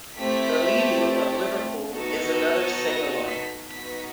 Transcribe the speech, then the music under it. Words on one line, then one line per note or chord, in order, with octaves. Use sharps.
"The Leaving of Liverpool" is another sing-along.
A3 C4 E4 G4 B6
B3 D#4 F#4 A4
A#6
B6
B3 D#4 F#4 B6